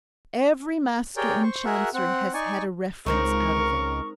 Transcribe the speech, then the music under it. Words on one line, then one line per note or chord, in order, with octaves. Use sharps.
Every master in Chancery has had a reference out of it.
G4 G#4 A#4 C#5 D5 G5
C5 C#6
F#4 G#4 A#4 E5 F#5
C4 F#5
D#4 D5 G#5 C#6
C#2 G#3 C4 D#4 A#4 C#6